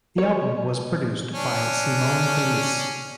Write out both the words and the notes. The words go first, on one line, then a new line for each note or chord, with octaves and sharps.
The album was produced by Simone Felice.
C#5
C#4 D4